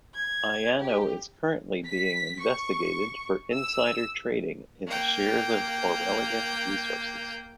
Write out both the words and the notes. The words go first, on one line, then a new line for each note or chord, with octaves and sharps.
Ianno is currently being investigated for insider trading in the shares of Aurelian resources.
G#6
G4
B6
C#6
E6
A#3 G5